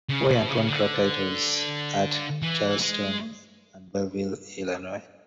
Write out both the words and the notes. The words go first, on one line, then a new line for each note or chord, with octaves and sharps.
Weyant won track titles at Charleston and Belleville, Illinois.
C#3
B2
C#3
D3
E3
G#3